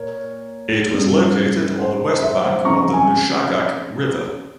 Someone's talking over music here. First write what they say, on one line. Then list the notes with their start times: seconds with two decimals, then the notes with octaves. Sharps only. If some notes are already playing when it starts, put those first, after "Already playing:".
It was located on the west bank of the Nushagak River.
Already playing: A#2 A#4 C#5
0.94 G2 G3 C#4
1.79 C5
2.22 C5 E5
2.65 C#3 F3 C4 F4 A#5 C#6
2.93 G#5